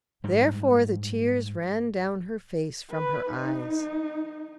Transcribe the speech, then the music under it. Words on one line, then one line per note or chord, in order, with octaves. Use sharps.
Therefore the tears ran down her face from her eyes.
G#2 G3
B4
D#4